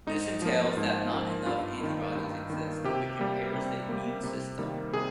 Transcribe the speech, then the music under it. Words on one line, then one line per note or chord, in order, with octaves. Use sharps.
This entails that not enough antibodies exist, which impairs the immune system.
G#2 D#4
F3 A#3
G#2
F3 A#3
G2 F4
D#3 A#3
G2
D#3 A#3
C3 G4
G3 A#3
C3
G3 A#3
C3
D#3 G3 A#3
C3 G#4